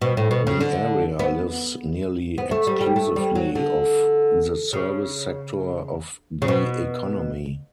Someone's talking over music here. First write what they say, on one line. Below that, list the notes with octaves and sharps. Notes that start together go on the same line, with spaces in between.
The area lives nearly exclusively off the service sector of the economy.
B2
A2
B2
C#3
D3
B3
B3
A3
G3
G3
A3
G3
F#3
D3
C#3
C#3
B2